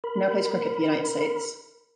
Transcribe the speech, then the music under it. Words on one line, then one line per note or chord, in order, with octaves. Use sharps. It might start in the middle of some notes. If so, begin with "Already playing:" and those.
He now plays cricket for United States.
A#4 B5